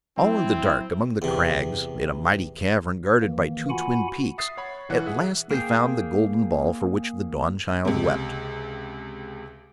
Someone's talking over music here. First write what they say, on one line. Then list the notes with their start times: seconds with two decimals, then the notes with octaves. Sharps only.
All in the dark among the crags in a mighty cavern, guarded by two twin peaks, at last they found the golden ball for which the Dawnchild wept.
0.17 F#3 C4 E4
1.22 E2 C3
3.22 D#3 E3 A#3
3.70 F4 F#4 F#5 G#5 B5
4.38 E5 D#6 A6 C7
4.57 C#5 F#5 B5 C#6
4.89 B1 E3 F#5 F#6
5.06 G#4 E5 F#5
5.51 A#3 G#4 G5
7.85 C#2 C3